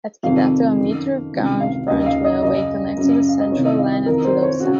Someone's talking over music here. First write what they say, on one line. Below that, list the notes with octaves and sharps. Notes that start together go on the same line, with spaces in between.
At Kidatu, a metre gauge branch railway connects to the Central Line at Kilosa.
F2 C3 D#3 F5
F#2 D#3
C#2 C3 D#3
F5
D#2 C#3 D#5
F5
D#5
F#2 C#3 D#5
F#2 C#3
F5
D#5
C2 C3 D#3 C#5
D#5
F5
D#5
F2 D#3 A#4
C5
C#5
C#3 F#4